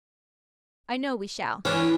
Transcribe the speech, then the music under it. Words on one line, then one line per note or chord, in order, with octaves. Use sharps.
'I know we shall.
E3 C#4 D4